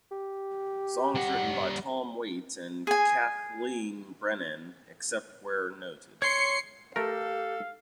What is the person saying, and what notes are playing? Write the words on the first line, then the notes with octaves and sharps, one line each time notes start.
Songs written by Tom Waits and Kathleen Brennan, except where noted.
G4
G3 F#5
G#4 G#5
C#5 C6 C7 C#7
A3 G4 A4 A#4 F5